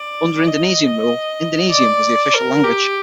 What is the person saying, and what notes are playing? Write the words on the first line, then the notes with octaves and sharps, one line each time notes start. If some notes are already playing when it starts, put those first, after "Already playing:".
Under Indonesian rule, Indonesian was the official language.
Already playing: D5
D#5
D5
A#4
G4